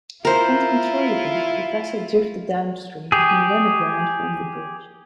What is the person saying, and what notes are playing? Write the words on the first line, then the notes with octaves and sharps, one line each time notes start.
Uncontrollable, the vessel drifted downstream and ran aground from the bridge.
E4 F4 A#4 C5
G4 G#4